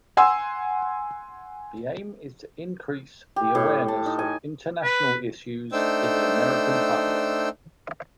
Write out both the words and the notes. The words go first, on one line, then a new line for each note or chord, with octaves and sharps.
The aim is to increase the awareness of international issues in the American public.
F#5 G#5 C6 E6
G4
A2
A5
D#4
G#5
B4
A3 D4 D#4 C5 G5 E6